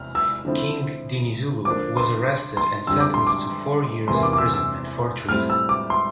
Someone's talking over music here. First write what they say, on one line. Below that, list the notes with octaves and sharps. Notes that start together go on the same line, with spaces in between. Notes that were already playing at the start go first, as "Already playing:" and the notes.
King Dinizulu was arrested and sentenced to four years imprisonment for treason.
Already playing: E2 C3 F6
E6
D3 F3 C4 E4
D3 F3 A#3 D4 D6
C6
C6
F2 D3 G3 D4 E6
D6
C6
D6
E2 C3 E3 A#3 E4 C6
D6
D6
E6
E6
A2 G3 C4 E4 F6
E6
D6
C6